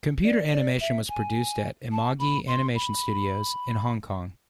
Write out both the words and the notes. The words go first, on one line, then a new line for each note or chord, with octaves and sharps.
Computer animation was produced at Imagi Animation Studios, in Hong Kong.
D5
D5
E5
G#5
A5
B5
C6
B5